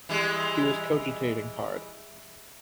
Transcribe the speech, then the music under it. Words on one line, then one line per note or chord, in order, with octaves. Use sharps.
He was cogitating hard.
E3 G3 G#3